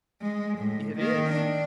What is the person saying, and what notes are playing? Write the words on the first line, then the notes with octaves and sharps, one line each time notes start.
"It is."
G#3
A2
D#3 A#3
D4